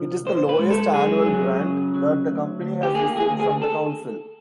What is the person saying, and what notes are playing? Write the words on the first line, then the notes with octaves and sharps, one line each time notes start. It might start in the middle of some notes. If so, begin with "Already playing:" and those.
It is the lowest annual grant that the company has received from the council.
Already playing: C2 F3
A#2 C5
B4
G#3
A4
F#2 G#4
F#3
C#3
F#3
D2
D2
G4
A#3 G#4
G#4
D2
G#4
A4